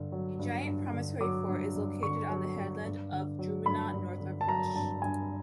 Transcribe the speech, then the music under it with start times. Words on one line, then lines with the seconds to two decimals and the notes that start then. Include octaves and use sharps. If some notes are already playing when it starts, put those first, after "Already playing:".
A giant promontory fort is located on the headland of Drumanagh, north of Rush.
Already playing: G2 D3
0.12 F#3
0.39 G2
0.66 G2
0.93 D3
1.21 F#3 D6
1.48 G2
1.75 G2
2.03 D3 C#6
2.30 F#3
2.56 G2
2.85 G2
3.12 D3
3.39 F#3
3.66 G2 B5
3.94 G2
4.20 D3
4.41 A5
4.47 F#3 A#5
4.75 G2 A5
5.02 G2 G#5